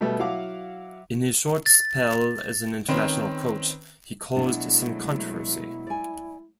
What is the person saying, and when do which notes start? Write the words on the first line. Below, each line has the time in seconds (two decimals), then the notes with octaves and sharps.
In his short spell as an international coach, he caused some controversy.
0.01 B2 G3 A3 B3
0.19 F#3 E4 F5 F#5 D6
1.66 A6
2.88 D#3 C4 C#4 B4 C5
4.36 B2 F#3 G#3 A3 D4 E4
5.87 D5 G#5